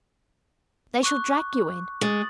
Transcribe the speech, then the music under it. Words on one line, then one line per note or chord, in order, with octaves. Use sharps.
"They shall drag you in."
C#6 D6 F#6
G#3 D#6 A6 F#7